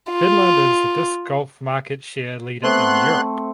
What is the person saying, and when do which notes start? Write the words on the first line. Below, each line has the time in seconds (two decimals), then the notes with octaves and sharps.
Finland is the disc golf market share leader in Europe.
0.12 F4
2.63 A3 B3 C4 C6 F#6